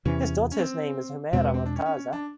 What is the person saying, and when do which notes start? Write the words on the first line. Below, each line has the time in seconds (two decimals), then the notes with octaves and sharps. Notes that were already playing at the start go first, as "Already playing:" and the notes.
His daughter's name is Humaira Mortaza.
0.05 E2 C3 E3 C#4
0.21 C#4
0.51 C#4
0.59 C4
1.33 E2 B2 G#3 C4
1.44 B3
1.54 C4
1.66 D4
1.75 C#4
1.86 C#4
1.96 C#4
2.13 D4